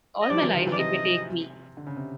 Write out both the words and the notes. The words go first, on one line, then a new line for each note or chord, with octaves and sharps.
All my life it may take me!
D#5
F3 G3 D5
E3 F#3
D#3 F3
E3 F#3
D5
C3 D#5
D3
C#3
C3